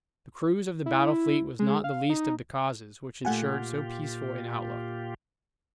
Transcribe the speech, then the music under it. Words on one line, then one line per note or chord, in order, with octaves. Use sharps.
The cruise of the battle fleet was not the least of the causes which ensured so peaceful an outlook.
E4
G#3
F5
D#4
A#2 A3 F4 G4 F#5 G#5